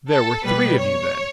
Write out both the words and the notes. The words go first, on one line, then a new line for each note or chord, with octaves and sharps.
"There were three of you, then."
A4
B2 G3 B3 B4
C#5